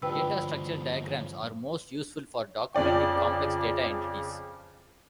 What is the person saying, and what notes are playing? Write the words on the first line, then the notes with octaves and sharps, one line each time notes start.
Data structure diagrams are most useful for documenting complex data entities.
D2 G2 E3 F3 G3 B4 G5 E6
F2 C#3 D5 G5